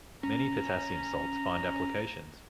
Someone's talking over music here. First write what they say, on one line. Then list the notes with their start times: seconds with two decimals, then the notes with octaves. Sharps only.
Many potassium salts find applications.
0.23 C#4 A#5